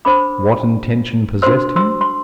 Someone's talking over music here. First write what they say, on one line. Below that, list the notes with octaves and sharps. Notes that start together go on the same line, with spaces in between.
What intention possessed him?
D4 A4 C5 B5 D6
D4 F#4 A4 C5 C6 E6
C6 E6
C6